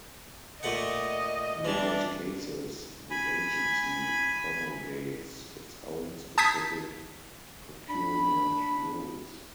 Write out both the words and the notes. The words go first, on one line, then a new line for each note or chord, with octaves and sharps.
In those cases, the agency promulgates its own specific procurement rules.
A#2 A3 D#5 F#5
E3 G3 D4
G#5 B5
A5 D#6 G6 G#6 B6
D4 B5